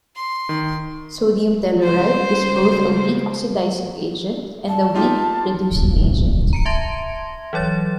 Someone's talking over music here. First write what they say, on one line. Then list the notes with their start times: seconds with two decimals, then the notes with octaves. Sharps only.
Sodium tellurite is both a weak oxidizing agent and a weak reducing agent.
0.15 C6
0.49 D#3
1.82 C#3 G3 G#3 C5
4.68 A5
4.95 D#4 F4 G4
6.53 A#5 C#7 D7
6.65 E5 A5 C6 G#6 A#6
7.53 E3 F#3 C#5 A6